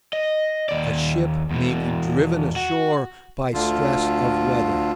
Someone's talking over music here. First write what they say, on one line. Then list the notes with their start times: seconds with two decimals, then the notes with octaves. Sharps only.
A ship may be "driven ashore" by stress of weather.
0.13 D#5
0.69 D#2 D5
1.51 E2 B2
2.56 F#4
3.54 D2 D3 F4